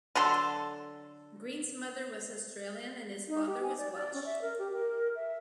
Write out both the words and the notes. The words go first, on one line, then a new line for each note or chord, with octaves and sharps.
Green's mother was Australian and his father was Welsh.
D3 F#3 A4 C6
D#4
G4
G#5
D5
D5
C#4
E5
A#4
G4
A#4
E5